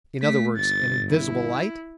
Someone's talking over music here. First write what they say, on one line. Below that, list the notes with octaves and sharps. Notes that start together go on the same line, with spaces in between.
"In other words, an invisible light?"
A3 B6
G1 A6
E4